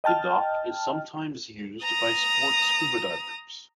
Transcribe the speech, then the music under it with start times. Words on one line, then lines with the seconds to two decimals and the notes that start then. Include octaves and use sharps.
The dock is sometimes used by sport scuba divers.
0.04 D#5 G5 A5 F6
1.83 A#5 D#6